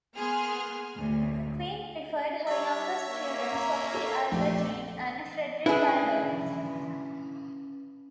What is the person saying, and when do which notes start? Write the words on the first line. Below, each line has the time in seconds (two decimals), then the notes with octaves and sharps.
The Queen preferred her youngest children, Sophie Albertine and Frederick Adolf.
0.16 A#3 B3 G#4 G#5 C6 F6
0.98 D2 A2
2.47 G3 C#5 E5
3.09 A#3
3.53 A#5
3.94 A4
4.32 A#1 A3 G4
5.66 C#4 D4 E4 G#4 B4